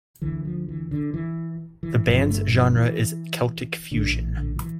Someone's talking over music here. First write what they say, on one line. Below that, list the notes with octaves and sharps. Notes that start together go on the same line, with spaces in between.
The band's genre is celtic fusion.
D2 D3 E3
F3
E3
D3
E3
E3
G1 G2 D3 F3
A3
F3
F3
E3
A#1 A2 D3
E3
D3
F3
E3